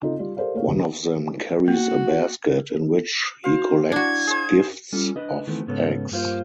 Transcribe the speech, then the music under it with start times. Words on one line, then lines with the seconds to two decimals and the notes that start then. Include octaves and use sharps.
One of them carries a basket in which he collects gifts of eggs.
0.02 C#3 C4 D#4 F4 A4
0.19 G3 F4 D5
0.37 G4 A4 A#4 C5 D5 F5
0.55 A3 A#3 G4 G#4 C#5 F5
0.67 F#1 D#2 F#3 D4
1.68 A#3 F#4
3.44 F#4 C5 F5
3.92 D4 E4 F#4 G#6
4.27 G#4 C5
4.92 G3 C#4 F4 A4
5.16 D4 B4 D#5
5.47 D#3 E3 A3 B3 C4
5.67 G#2 C#3 B3 C#4 A4
6.11 G2 A#3 F4 C5